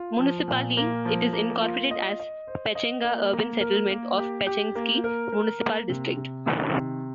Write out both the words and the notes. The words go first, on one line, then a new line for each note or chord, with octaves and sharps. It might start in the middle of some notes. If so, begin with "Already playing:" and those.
Municipally, it is incorporated as Pechenga Urban Settlement of Pechengsky Municipal District.
Already playing: F4
F3
A#2
A#3
F3
A#3
F4
D#5
D#5
C5
D#5
A#3
A#3
A#4
A#3
G4
G4
A#3
A#4
A#4
A#3
C3
C3
D#3
C3